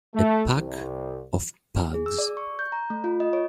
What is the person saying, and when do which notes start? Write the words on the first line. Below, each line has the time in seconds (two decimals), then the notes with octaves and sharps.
A pack of Pugs.
0.15 A3
0.53 C2
1.94 G#4
2.06 E6
2.18 D5
2.37 C#6
2.59 G6
2.72 A#5
2.90 A3
3.04 F4
3.20 D#5
3.33 C#5